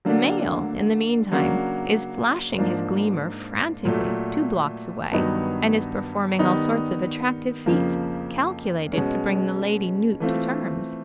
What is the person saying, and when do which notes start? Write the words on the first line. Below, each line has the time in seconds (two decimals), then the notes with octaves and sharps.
The male, in the meantime, is flashing his gleamer frantically two blocks away and is performing all sorts of attractive feats, calculated to bring the lady newt to terms.
0.05 D3 F#3 A#3 D4
1.32 C#3 F#3 A#3 D4 F#4
2.58 G#2 F3 A#3 D4
3.85 A#2 F#3 A3
5.12 G2 D#3 F#3 B3 D#4
6.39 D#3 G3 B3 D#4
7.66 F2 C#3 F3 A#3
8.93 B2 G#3 C#4
10.20 E3 A3 C4 F4